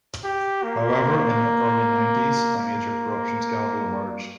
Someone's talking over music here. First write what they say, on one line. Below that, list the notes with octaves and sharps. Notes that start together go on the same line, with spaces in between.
However, in the early nineties a major corruption scandal emerged.
G4
A#3
A#3